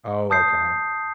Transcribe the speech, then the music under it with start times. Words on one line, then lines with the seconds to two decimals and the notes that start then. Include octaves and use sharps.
Oh, okay.
0.30 A5 D#6 G6 C7